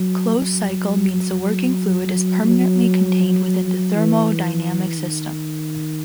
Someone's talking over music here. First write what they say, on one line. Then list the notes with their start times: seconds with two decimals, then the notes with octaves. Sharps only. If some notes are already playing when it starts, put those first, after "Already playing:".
"Closed cycle" means the working fluid is permanently contained within the thermodynamic system.
Already playing: F#3
0.38 F#3
2.42 F#3
3.96 E3
4.98 D#3